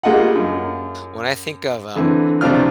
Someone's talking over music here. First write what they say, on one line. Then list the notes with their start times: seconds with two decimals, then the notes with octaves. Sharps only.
when I think of, um,
0.03 G3 G#3 A#3 F4 D#5 F#5
0.35 F#2
1.96 D3 E3 C4
2.41 C2 F3 C4 D4 F4 F6